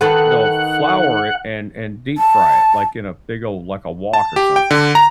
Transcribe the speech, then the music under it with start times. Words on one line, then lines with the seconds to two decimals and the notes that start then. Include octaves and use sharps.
they'll flour it and and deep-fry it, like in a big ole like a wok or something,
0.01 D#3 A4 B4 F#5
2.18 A5
4.13 A5
4.36 G4
4.56 G5
4.71 D3
4.95 A#5